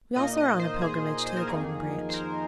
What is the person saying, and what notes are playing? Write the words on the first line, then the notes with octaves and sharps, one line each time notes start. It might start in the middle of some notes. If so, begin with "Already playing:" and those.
'We also are on a pilgrimage to the Golden Branch.'
A#2 A#3 D#4 D#5
D#5
C5
G#4
C5
A#4
F2 D#3 A#3 D#4 G#4
C5
A#4